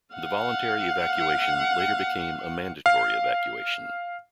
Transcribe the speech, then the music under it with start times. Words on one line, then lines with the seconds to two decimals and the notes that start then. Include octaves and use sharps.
The voluntary evacuation later became a mandatory evacuation.
0.15 F5 F#5
2.86 F5